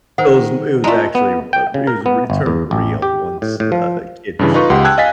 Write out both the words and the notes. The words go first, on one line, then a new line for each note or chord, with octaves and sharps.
Those it was it was actually, uh, it was r it turned real once the kid showed up.
D#3 C5 F#5
G#3 A3 F4 D5 A#5
B3
G5
C#3
A#4
B3
G1
E2
A1
G4
A2
A2
F3
G2 C#3 E3
D#4 F4 B4 C#6
C#2 G4 F#5 C6
G5 A5 E6 F#6 G#6
D#5 F5 G#5 A6 B6